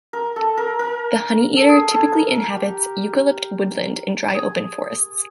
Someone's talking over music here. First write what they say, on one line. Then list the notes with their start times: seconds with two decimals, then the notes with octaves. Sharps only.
The honeyeater typically inhabits eucalypt woodland and dry open forests.
0.13 A#4
0.36 A4
0.57 A#4
0.79 A#4
1.56 A4
1.69 G#4
1.91 A4
2.13 A#4
2.35 A#4
2.57 G4
4.34 G#4